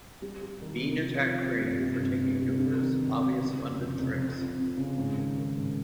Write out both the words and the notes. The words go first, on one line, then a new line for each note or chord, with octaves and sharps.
Bean attacked Crane for taking numerous lobbyist-funded trips.
G3
G3
D#3
C3
F3
F3
C4
G2
C3
G1
F2
C3
G2
D#3
G#1
G#1
C#3
F2
F1
F1
F2
F2
F2
C#3
G#2
D#3
D#3
G#2